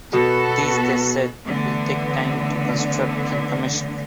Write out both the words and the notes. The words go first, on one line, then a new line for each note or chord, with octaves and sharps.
These, they said, will take time to construct and commission.
B2 B3 F#4 A4
D3 E3 A3 B3